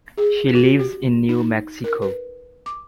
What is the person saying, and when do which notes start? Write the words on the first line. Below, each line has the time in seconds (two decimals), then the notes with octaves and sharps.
She lives in New Mexico.
0.18 G#4
0.55 F#4
0.79 G4
1.29 D#4
1.84 A#4
2.02 B4
2.66 D6